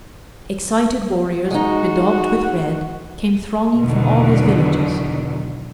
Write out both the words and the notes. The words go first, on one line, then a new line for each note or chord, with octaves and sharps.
Excited warriors, bedaubed with red, came thronging from all his villages.
G#3 D#4 F#4
E2 B2 D3 D#3 F#3